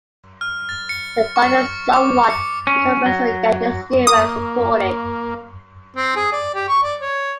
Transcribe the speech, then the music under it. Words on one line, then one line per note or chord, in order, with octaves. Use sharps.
The fund is somewhat controversial yet is still well supported.
F6
A6
C#7
C#6
D6
C#7
C#4
F#3
A#3 D#6
C4
G#4
D5
G4
C#6
D5
C#5